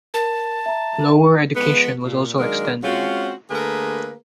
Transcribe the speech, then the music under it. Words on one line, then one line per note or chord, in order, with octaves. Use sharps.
Lower education was also extended.
A#4 A5
E5 A#5
F3 G#3 B3
A#2
D#3 F#3 G#3 A#3 D4 A#4
G#3 C4 C#4 F4 F#4
D3 A3 A#3 G#4 A#4 B4